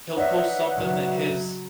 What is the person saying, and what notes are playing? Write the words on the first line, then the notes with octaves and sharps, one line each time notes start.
he'll post something that his
D#4 B4 C#5 D5 E5 F#5
C#3 F#3